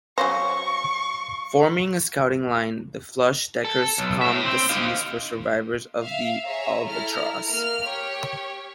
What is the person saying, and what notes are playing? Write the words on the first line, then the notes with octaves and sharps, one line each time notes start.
Forming a scouting line, the flush-deckers combed the seas for survivors of the "Albatross".
F#3 C#4 C5 F5 C#6 A#6
A4
B1
A2 E5
C4
D#4 F5
E5 F5
G#4 C#5 E5 A#5
E4 A4 A#5 F6
A#3 F6
G4 C#5